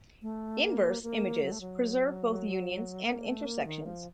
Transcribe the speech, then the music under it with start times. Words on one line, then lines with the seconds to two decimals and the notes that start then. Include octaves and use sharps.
Inverse images preserve both unions and intersections.
0.22 A3
0.62 A#3
1.03 A#3
1.43 F#3
1.52 A3
1.61 F#3
3.05 A#3
3.25 A3
3.45 A#3
3.66 D#3
3.86 F3